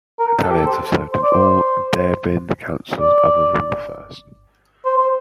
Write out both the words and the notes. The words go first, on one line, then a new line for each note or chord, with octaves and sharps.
Italians have served in all Darebin Councils other than the first.
A#4
A4
G4
A4
C5
C5
D5
C5
D5
C5
C5